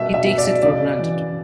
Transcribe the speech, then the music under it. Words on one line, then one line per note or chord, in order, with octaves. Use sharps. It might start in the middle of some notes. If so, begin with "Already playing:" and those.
He takes it for granted.
Already playing: B2 G3 A#3 E5
E5
B2
D5
C#3 D5
E3